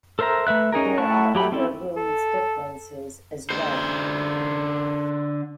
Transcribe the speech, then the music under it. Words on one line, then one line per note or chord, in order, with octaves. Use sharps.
There are other rules differences as well.
A4 A#4 C5 E5 A#5
A3 B4 E5 F#6
C#4 D#4 G#4 A#4
A3 E4 A5 C#6 F#6
F#3 G4 B5
C4 C#4 E4 A4
A4
D3 C5